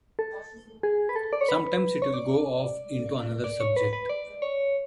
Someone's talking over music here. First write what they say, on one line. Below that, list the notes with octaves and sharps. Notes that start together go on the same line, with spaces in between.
Sometimes it’ll go off into another subject.
A4
G#4
B4
A4
D5
C#5
B4
C#5
D5
D5
C#5
B4
B4
D5
C#5